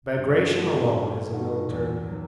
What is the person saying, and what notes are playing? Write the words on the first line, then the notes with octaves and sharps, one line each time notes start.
Bagration alone is a military man.
G2
D#3 A3 D#4 F#4
G2
D#3 A3 D#4 F#4
E2
D#3 F#3